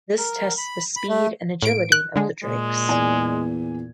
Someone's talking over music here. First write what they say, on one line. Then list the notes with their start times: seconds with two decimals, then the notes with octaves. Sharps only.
This tests the speed and agility of the drakes.
0.18 A#4
0.58 B5
0.96 B5
1.09 A3
1.62 A2 D7
1.92 F#6
2.16 D3 G#3
2.44 A#2 G#3
2.89 E2 D5 G#5